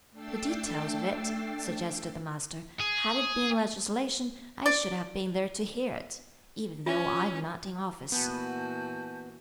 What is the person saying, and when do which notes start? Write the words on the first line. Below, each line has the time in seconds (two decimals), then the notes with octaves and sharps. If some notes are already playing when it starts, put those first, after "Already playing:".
"The details of it," suggested the Master; "had it been legislation, I should have been there to hear it, even though I am not in office."
0.12 A3 D4 G5 E6 A6 C7
2.80 G#4
4.66 D5
6.86 C#4 F4
8.12 A#2 E3 B3 F#4 G#5 A5 G6